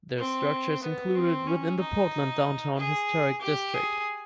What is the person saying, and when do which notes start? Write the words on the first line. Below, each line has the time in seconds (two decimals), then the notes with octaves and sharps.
The structure is included within the Portland Downtown Historic District.
0.17 C4
0.83 B3
1.15 C4
1.47 C#4
1.80 D#4
2.77 G#4
3.41 G4
3.74 G#4